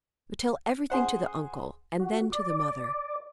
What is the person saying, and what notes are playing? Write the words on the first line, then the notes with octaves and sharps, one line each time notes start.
But tell everything to the uncle, and then to the mother.
G#4 C5 F#5
F#4
D5